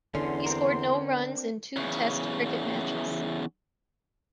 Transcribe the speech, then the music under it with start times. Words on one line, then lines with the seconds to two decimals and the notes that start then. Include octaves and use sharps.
He scored no runs in two Test cricket matches.
0.15 E2 D3 C#4 C6
0.46 C4 D4 A#4
1.76 E2 C#3